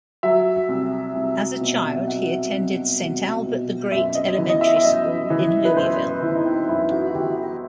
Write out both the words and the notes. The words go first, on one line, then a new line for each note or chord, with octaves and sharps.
As a child he attended Saint Albert the Great Elementary School in Louisville.
F#3 E5
C2
C2
B2
F#3 F#5
C2
C2
B2
F#2 E5
D#5
E3
D#5
E5
E5
F#2 D#5
E3
B4
F#2 C5
E3 E4
D#4
C4
F#2 E4
F#4
F#4
E3 G4
G4